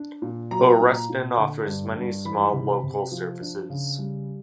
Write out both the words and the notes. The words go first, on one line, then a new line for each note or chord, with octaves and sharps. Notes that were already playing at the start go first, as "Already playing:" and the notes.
Oreston offers many small, local services.
Already playing: D4
A#2
F#3 A#5
A#2
A#2
D3
G2
G2
E3 B5
C3
C3
F3
D4
C#3
G3